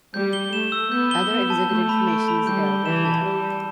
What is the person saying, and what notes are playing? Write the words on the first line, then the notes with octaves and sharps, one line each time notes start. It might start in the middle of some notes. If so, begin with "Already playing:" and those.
Other exhibit information is available here.
G3 G6
G7
A3 E7
E6
B3 G6
G7
B3 E7
A5
A3 G6
B5
D7
B5
G3 G6
G7
E3 E7
A5
G3 G6
A5